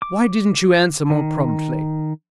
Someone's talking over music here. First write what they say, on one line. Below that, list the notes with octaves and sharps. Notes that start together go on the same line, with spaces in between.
Why didn't you answer more promptly?
D6
D#3